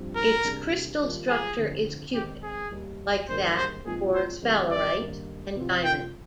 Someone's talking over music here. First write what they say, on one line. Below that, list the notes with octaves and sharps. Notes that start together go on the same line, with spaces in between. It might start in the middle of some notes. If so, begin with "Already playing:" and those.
Its crystal structure is cubic, like that for sphalerite and diamond.
Already playing: G2 F3 C4
A#4
C3 G3 A#3 D4 G#4
D#3 G3 A#3 F4
G#4
D3 F3 C4 F4
D#3 G#3 C4 G4
G#4
D#2 D#3 G3 A#3
G2 D#3 A#3 D#4 G#4 C5
C5
A#2 F3 G#3 C4 D#4 G#4
C5
F2 D#3 G3 A#3 D#4
D5
G2 D#3 A#3
C3 F3 C4 F4
G5